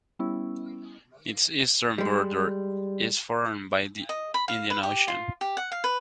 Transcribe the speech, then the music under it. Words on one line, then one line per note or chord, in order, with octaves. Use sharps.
Its eastern border is formed by the Indian Ocean.
G3 B3 C#4 E4
G3 G#3
D#5
B5
F5
B4
G4
F4
G4
F#5
F5
B4